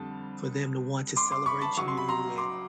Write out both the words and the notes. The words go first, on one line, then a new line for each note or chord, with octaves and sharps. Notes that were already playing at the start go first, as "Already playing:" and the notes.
for them to want to celebrate you, and
Already playing: F2 D3 G3 A5
C6 D6
C6 D6
B5 C#6
A5 B5
C#2 C#3 F#3 C#6
C6
B5
A#5 C6
C6 D6